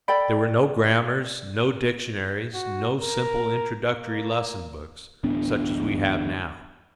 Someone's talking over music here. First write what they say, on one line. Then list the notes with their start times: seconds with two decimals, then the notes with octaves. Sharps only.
There were no grammars, no dictionaries, no simple introductory lesson books, such as we have now.
0.08 A4 D5 G5 B5
2.54 F#4
3.00 A#4
3.91 A#3
5.24 D1 A1 B3 D4